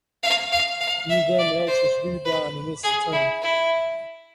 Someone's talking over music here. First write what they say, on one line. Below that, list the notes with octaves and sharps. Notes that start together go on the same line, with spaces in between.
U then x is rebound in this term.
F5
F5
F5
E5
D5
C5
B4
G#4
E4
E4